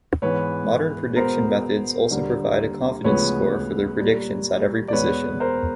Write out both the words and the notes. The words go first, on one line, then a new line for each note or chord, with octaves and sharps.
Modern prediction methods also provide a confidence score for their predictions at every position.
G#2 E3 G#3 B3 B4 C#5
B2 G#3 B3 A#4 C5
D#2 D3 G3 A#3
D2 C#3 F3 G#3 B3 B4 C#5
A#2 G3 A#3
D5
E2 B2 G#3 B3 B4 C#5
A#4 C5